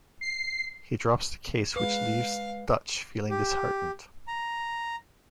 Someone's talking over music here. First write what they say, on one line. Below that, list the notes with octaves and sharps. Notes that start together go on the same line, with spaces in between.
He drops the case which leaves Dutch feeling disheartened.
C7
G#3 B4 F5
G4
A#5